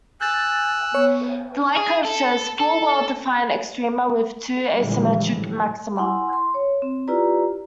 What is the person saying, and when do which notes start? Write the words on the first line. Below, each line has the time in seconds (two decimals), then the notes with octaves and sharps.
The light curve shows "four well defined extrema with two asymmetric maxima".
0.21 G#5 E6 F#6 G6 A6
0.94 B3 C#5
1.77 G#4
2.05 A4
2.59 A4
4.76 A#2 D3 E3 F3 G3 G#3
5.34 A2
5.96 E4 F#5 G#5 C6
6.33 C6
6.54 C#5
6.82 C4
7.08 E4 F4 G4 B4 D5 A#5